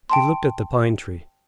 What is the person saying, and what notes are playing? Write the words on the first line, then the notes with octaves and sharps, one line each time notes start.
He looked at the pine-tree.
G5 A5 C6